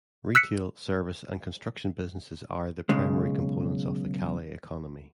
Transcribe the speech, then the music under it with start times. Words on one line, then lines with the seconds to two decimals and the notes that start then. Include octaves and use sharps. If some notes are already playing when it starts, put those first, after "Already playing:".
Retail, service, and construction businesses are the primary components of the Calais economy.
0.35 E6 F#6 B6 C#7
2.89 B1 C#3 G#3